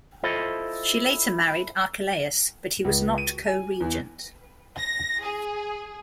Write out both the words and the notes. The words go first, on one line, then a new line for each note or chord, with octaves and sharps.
She later married Archelaus, but he was not co-regent.
E4 F4 A4 C5 D#5
C#2
D#7
G#5
E2
A#6
G#4